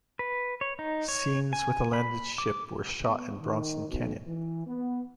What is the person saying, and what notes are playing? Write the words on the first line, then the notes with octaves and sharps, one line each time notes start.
Scenes with the landed ship were shot in Bronson Canyon.
B4
C#5
D#4
C#5
G#5
B5
D6
B3
D#3
B1
E3
B3